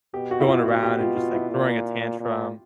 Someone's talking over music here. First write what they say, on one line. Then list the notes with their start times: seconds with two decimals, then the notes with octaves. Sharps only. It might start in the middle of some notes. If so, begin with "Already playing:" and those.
going around and just, like, throwing a tantrum,
0.14 B2 G4
0.31 F#4
0.40 E4
0.48 F4
0.65 F#4
0.82 B2 G4
1.00 F4
1.17 F4
1.34 E4
1.51 A#2
2.20 A#2